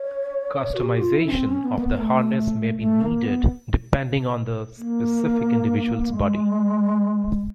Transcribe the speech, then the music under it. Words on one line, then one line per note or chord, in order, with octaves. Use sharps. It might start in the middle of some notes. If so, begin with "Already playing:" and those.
Customization of the harness may be needed depending on the specific individual's body.
Already playing: C#5
F#4
G4
F4
E4
C#4
C4
C#4
B3
A#3
B3
A3
A3
A#3
B3
A#3
G#3